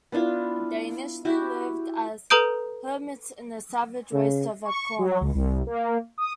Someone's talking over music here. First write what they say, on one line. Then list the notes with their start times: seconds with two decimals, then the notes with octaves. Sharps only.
They initially lived as hermits in the "savage waste of Accona".
0.12 B3 D4 E4 F4
1.25 E4 F#4 G4
2.30 A4 B4 A#5 D#6 G6 D7
4.13 C#3
4.65 C#6
4.99 F#3
5.21 C#2
5.35 C2
5.67 A#3
6.18 D#6